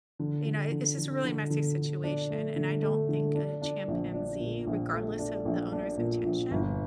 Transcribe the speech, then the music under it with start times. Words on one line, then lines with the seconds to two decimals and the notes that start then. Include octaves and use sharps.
you know, i it's just a really messy situation and I don't think a chimpanzee, regardless of the owner's intention,
0.19 D3
0.46 D3
0.71 D3
0.97 D3
1.24 D3
1.50 D3
1.77 D3
2.04 D4
2.30 A3
2.56 D3
2.82 A3
3.09 D3
3.35 D4
3.62 D4
3.88 A#1
4.14 D4
4.40 A#2
4.67 A#1
4.93 A3
5.19 D4
5.45 A#1
5.72 D4
5.97 A#2
6.24 A#1
6.51 G1